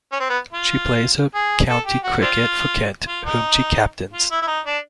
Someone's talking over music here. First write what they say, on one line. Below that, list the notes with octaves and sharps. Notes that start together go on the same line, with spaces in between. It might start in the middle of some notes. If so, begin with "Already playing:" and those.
She plays her county cricket for Kent, whom she captains.
C#4
C4
B3
F4
G#4
A4
G4
F#4
C4 D4 F4
F4
D#4
F4
E4
E4
D#4
D4